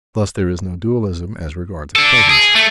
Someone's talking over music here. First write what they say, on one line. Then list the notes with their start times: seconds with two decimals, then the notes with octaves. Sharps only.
Thus there is no dualism as regards acquaintance.
1.96 D4 A4
2.30 G#4
2.55 A3